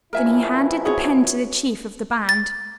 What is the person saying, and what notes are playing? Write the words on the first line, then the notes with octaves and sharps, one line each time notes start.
Then he handed the pen to the chief of the band.
A#1 B2 E4 A#4 E5 G#5
F#4 G#4 C#5
A6